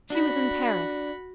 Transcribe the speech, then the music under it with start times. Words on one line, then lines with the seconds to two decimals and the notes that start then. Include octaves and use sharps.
She was in Paris.
0.10 D4 F#4 B5